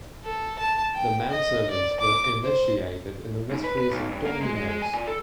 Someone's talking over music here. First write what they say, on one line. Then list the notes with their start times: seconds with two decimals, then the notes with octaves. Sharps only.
The men-servants were initiated in the mysteries of dominoes.
0.24 A4
0.59 A5
0.95 G5
1.30 D#5
1.70 D5
2.00 D6
2.42 C5
3.51 G#2
3.64 B4
3.78 B4
3.91 B1
4.11 G2
4.25 A#3
4.42 G#3
4.55 G#3
4.69 G#3
4.82 G#5
4.93 A#2
5.07 A4